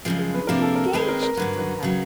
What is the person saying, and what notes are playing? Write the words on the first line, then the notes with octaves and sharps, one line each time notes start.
"You are engaged to her!"
F#2 C#3 F3 G#3
G#4
B4
C3 F3 A#3 D4 A#4
A4
A#4
D#2 D#3 G#3 C4 B4
A#4
A#4
G2 D3 F#3 B4
B4
C#3 F#3